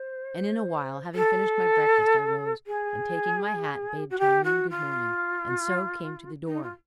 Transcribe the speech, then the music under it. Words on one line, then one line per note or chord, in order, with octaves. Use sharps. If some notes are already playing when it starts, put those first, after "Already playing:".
And in a while, having finished my breakfast, I rose, and, taking my hat, bade Charmian "Good morning," and so came to the door.
Already playing: C5
A4
G#4
F#4
G4
F#4
F4
D#4
F4